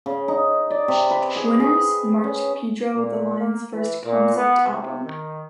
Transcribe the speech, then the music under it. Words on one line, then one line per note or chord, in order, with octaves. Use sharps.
"Winners" marked Pedro the Lion's first concept album.
C#3
D#4
D5
C3
B4
G#4
G#4
C#4
A#2
A#3
E3
A#2
B3
C3
D#3